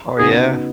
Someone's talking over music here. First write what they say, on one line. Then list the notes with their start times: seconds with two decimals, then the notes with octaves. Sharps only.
Oh, yeah?
0.19 C#3 B3 D#4 F#4 G#4